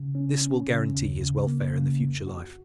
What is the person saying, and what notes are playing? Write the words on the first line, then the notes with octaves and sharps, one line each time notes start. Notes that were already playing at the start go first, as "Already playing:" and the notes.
This will guarantee his welfare in the future life.
Already playing: C#3
C#4
C#4
C#3
D#2
C#3
A#3
C#3
F2
F#4